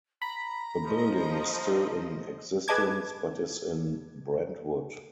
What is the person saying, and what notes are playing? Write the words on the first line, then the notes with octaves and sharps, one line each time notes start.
The building is still in existence, but is in Brentwood.
A#5 B5
F3 D#5
G#4 B4 D#5 A5 D6 G#6